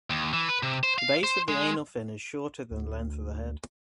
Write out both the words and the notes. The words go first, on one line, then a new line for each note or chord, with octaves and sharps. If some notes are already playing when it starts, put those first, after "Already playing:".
The base of the anal fin is shorter than the length of the head.
D#2
E3
B4
C3
C5
F5
C5
G#3
D2